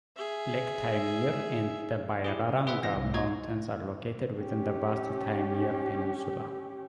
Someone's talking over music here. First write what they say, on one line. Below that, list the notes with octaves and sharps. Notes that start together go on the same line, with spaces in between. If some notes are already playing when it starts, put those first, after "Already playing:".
Lake Taymyr and the Byrranga Mountains are located within the vast Taymyr Peninsula.
G#4 E5
E4 G4 G#4
C#3
G#4 B4 C5 E5 F#5
E3 B3 F4 A#6
C2
A#2 D#4 F#4 C#5 D#5 G#6
C#4 G4